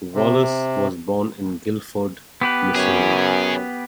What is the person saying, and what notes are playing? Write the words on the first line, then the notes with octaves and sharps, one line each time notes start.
Wallace was born in Guilford, Missouri.
C3
B3 G4 B4
F#2 G#4 C#5